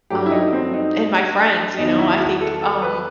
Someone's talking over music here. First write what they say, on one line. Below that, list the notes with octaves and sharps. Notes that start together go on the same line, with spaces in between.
um, and my friends, you know, I think, um,
G2 F#3 A3 G4
E4
D#4
C4
D#4
E2 D#3 F#3 B3 D#4
E4
F#4
A4
A4
B4